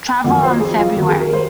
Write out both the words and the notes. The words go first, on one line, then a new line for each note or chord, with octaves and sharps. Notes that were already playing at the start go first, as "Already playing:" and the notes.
Tarver in February.
F2 D#3 F#3 F#5
C5
G#4
F4
D#2 D#3 F#3 F#4
G#4
A#4
C5